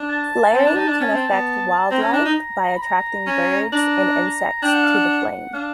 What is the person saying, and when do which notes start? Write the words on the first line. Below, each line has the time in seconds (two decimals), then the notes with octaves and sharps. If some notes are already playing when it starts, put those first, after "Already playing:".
Flaring can affect wildlife by attracting birds and insects to the flame.
Already playing: D4
0.10 A5
0.54 C4
0.66 D4
0.77 D#4
0.88 D4
1.00 C#4 A5
1.15 C4
1.30 B3
1.91 C4 A#5
2.02 C#4
2.13 D4
2.25 D#4
2.76 B5
2.82 A#5
3.27 C#4
3.72 D4 A#5
4.62 D4 G5
4.73 F#5
4.84 F5
4.94 F#5
5.54 D4 F5